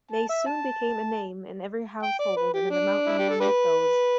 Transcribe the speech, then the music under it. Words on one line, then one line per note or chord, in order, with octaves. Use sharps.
They soon became a name in every household and in the mountain man mythos.
A5
E5
A5
G5
D5
B4
G4
D4
E4
G4
A4
D4 G4 B4